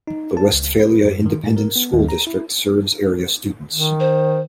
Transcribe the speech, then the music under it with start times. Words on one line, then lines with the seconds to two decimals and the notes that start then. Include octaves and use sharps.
The Westphalia Independent School District serves area students.
0.07 D#4
0.37 A5
0.53 C#2
0.79 B4
1.05 F#2
1.26 D#3
1.44 G#2
1.57 A#4
1.76 B3
1.93 D#2
2.09 A#5
2.27 E4
3.72 D#3
4.00 C5